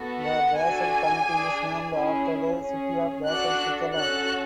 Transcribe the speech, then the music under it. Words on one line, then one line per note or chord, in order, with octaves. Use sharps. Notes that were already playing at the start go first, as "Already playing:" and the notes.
The Basel Committee is named after the city of Basel, Switzerland.
Already playing: B3 F#4 A4
F#5
D4 F#4 A4 G#5
D4 G#4
C#4 E4 G#4
C#4 G#4
D4 F#4 A4 F#6
C#4 F#4 A4 F#6